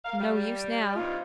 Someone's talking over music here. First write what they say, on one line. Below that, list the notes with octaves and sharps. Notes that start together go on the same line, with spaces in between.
No use now.
A#4 F5
G3
G2 C3 D#4 F4